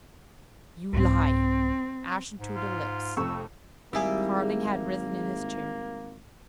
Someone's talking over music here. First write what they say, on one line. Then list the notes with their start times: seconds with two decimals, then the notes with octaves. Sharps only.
"You lie!" Ashen to the lips, Carling had risen in his chair.
0.93 C2 G#2 C4
2.39 G#2
2.56 F4
3.17 F1 F2 C#6 E6
3.93 G#1 G3 A#3 E4 G4 G#4 E5